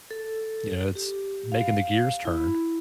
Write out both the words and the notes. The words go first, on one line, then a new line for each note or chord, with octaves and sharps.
you know, it's making the gears turn.
A4
G4
F5
E4